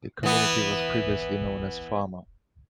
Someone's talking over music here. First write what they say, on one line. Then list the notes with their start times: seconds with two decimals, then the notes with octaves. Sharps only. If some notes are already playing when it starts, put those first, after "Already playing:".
The community was previously known as Farmer.
0.23 E3 B3